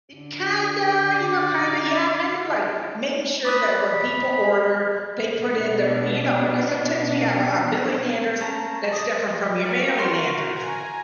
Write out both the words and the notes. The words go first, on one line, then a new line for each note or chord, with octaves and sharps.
Y kinda, you know, kinda yeah, kind of like making sure that when people order, they put in their you know, 'cause sometimes you have a a billing address that's different from your mailing address,
D3
D5
B5 D6 D#6 F#6
B2 B3 D4
C#4 A5 A#5
D5 D#6
F#4 A#4 D5 F5
C6 C#6 F6
G#5 A#5